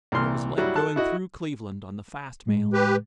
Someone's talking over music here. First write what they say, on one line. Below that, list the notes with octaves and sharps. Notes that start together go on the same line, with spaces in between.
It was like going through Cleveland on the fast mail.
C2 A#2 E3 C6 F6
F#3 G3 E4 F#4
A4 A5 F#6
E4 F#4 D#5
A2 G#3
G4 B4